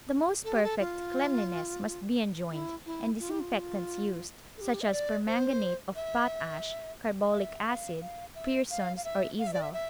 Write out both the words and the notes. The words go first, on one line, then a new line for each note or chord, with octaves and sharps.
The most perfect cleanliness must be enjoined, and disinfectants used, such as permanganate of potash, carbolic acid, Pearson's, or Izal.
A4
G4
A4
F4
E4
E4
F4
G4
F4
A4
G4
E5
D5
C5
E5
E5
F5
F5
E5
F5
F5
E5
F5
E5
D5
E5
E5